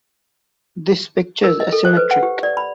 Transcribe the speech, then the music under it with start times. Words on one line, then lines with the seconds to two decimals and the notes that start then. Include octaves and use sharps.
This picture is asymmetric.
1.44 A#4
1.60 D#5
1.72 A4
1.85 C5
1.97 B4
2.11 F#5
2.23 G4
2.43 D5
2.57 B5